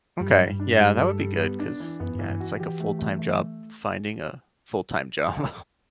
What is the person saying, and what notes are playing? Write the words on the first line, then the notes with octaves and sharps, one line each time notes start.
Okay. Yeah, that would be good 'cause, yeah, it's like a full time job finding a full time job.
G2 G3
G3
D4
G3
A4
G3
B3
D4
E3
F#2 B3
G2 E3
G2
F#4
E3 G4
A3
A3
A3